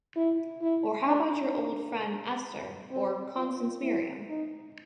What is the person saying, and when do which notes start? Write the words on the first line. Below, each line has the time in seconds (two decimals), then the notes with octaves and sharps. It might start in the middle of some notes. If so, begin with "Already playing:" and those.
Or how about your old friend Esther — or Constance Merriam?
0.16 E4
0.62 E4
1.07 D4
1.53 D4
2.91 C4
3.36 F4
3.83 E4
4.29 D#4